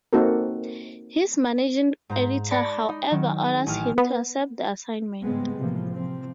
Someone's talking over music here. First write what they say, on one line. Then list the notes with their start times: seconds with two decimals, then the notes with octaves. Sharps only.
His managing editor, however, orders him to accept the assignment.
0.13 A#3 C4 D#4 F#4 A4 A#4
2.09 G#2 C5 A#5
2.51 D5 A5 B5 F#6 A#6 C#7
2.89 D#4
3.11 D#3 F#3
3.43 G#4
3.66 A1 G#5 F6
3.98 B3
5.22 G#2 C#3 G3 G#3 B3 C4
5.57 A2 C3 E3 F3 A#3
5.91 C3 F3 C4